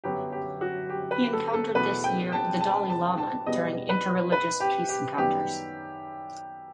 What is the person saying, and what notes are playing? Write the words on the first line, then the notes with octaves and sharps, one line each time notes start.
He encountered this year the Dalai Lama during inter-religious peace encounters.
G1 F#2 F#3 B3 G4
G4
F#4
G4
B4
A4
A4
E2 B2 A3 B4
G5
A5
A5
A5
A5
E2 B2 G3 B3 D#5
B4
B4
G4
G4
F#2 D#3 G3 B3 G4